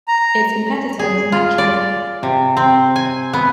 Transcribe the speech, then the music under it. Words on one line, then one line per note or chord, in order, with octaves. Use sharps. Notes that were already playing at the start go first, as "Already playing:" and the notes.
Its competitor was "Metro".
A#5
G#4
F4
D5
C3
C4
G#5
B3